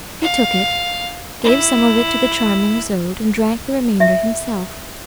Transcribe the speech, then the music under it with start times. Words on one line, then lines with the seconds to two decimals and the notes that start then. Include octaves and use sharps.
He took it, gave some of it to the charming Isoude, and drank the remainder himself.
0.21 F5
1.44 E4
4.00 E5